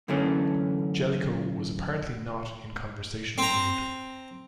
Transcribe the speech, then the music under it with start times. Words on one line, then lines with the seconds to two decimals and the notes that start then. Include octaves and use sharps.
Jellicoe was apparently not in conversational mood.
0.08 F#2 D3 E3 A3 A#3 C#4
3.38 C4 A#5